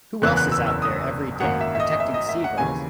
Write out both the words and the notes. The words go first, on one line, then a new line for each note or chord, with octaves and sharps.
Who else is out there every day, protecting seagulls?
F#1 E2 C#3 E3 B3 F#6
F#6
E6
E6
D#6
G#1 F#2 D#3 A#3 F#5
E5
E5
D#5
D#5
E5
D#5
E5
F#5
D#2 C#3 E3 G#5